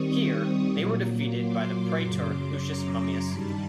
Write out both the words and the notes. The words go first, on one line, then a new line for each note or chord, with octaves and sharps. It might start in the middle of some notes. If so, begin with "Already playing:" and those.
Here they were defeated by the "praetor" Lucius Mummius.
Already playing: D#3 G3 C4 C#6 D#6
A#2 F#3 A#3
C6 D6
F#2 C#3 F#3
A#5 C6
G2 D#3 G3 A5 B5